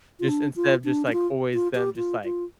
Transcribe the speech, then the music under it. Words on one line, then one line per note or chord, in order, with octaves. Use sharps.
Just instead of just, like, always them just, like,
F4
D4
F4
D4
D4
F4
F4
G4
F4
F4